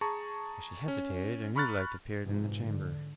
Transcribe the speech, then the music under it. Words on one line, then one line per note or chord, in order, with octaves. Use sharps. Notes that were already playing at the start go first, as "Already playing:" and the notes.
As she hesitated a new light appeared in the chamber.
G#4 A5 A#5 C#6
C#4
A#5 B5 C#6 F6 F#6 A6
G#2 C3 E3 F3
D3